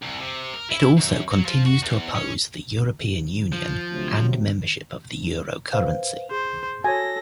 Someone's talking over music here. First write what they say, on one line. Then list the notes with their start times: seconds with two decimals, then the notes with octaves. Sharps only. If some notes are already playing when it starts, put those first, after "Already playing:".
It also continues to oppose the European Union and membership of the euro currency.
0.02 C2
0.20 C3
0.54 A#4
0.70 E4
0.97 F#2
1.31 F#3
1.45 F3
1.66 F#4
1.82 E2
2.15 C#4
3.52 F3
3.92 D2 C3 F#3
5.73 B4 C5 F5
6.31 G#4 C5
6.84 F#4 A4 C#5 G#5 A#6